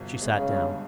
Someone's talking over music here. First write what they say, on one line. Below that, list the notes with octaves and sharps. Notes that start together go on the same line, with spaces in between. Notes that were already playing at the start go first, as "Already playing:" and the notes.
She sat down.
Already playing: G1 B2
G#3
C#3
G2